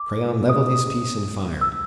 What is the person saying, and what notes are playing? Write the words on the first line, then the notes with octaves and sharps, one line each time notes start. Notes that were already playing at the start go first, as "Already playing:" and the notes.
Crayon leveled his piece and fired.
Already playing: D6
D#6
E6